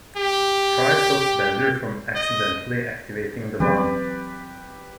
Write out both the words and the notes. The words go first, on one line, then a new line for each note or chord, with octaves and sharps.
Fry stops Bender from accidentally activating the bomb.
G4
D#5
E3 F#3 C4 G4 B4 D5